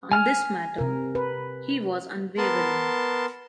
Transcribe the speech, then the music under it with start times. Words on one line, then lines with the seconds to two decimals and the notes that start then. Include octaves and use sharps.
On this matter, he was unwavering.
0.12 G#5 F6
0.78 C3 A#4
1.15 B4
2.38 B3 A#4 A5 C6